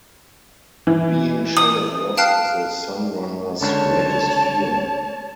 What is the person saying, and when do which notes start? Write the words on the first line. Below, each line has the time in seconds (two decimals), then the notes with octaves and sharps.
Being Shadow-lost is a Sunrunner's greatest fear.
0.87 E3
1.57 D#6
2.17 F5 G5 A5 F6 F#6 C7
3.61 C#2 D3 C#5 A5